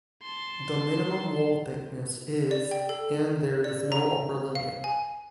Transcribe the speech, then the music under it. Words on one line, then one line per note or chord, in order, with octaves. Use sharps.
The minimum wall thickness is and there is no upper limit.
A5 C6
D5
G5
A4
D5
A#5
F5
G#5